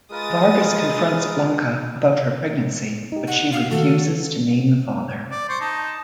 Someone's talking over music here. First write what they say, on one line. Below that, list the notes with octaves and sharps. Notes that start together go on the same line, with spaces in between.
Vargas confronts Blanca about her pregnancy, but she refuses to name the father.
G#3 F4 A#4 B4 D#6 A6
D#4 G4
F#5
F5
D#3 A3 F#4 A4
D5
C5 C#6
D#4 A5